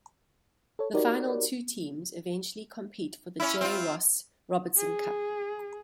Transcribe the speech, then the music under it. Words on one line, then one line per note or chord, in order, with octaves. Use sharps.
The final two teams eventually compete for the J. Ross Robertson Cup.
A4 C#5
D#4 F#4 G4 A#4 C#5 D5
C#4 E4
C4 F4
G#4